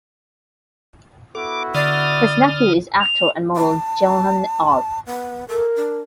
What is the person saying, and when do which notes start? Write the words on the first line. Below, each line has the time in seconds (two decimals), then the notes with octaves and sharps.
His nephew is actor and model Johann Urb.
1.35 B3 E4 F#4 A4 D6
1.75 D3 D5 B5 D#6 F6
3.00 F7
3.56 A5
5.06 B3
5.48 A4 A#4
5.76 D4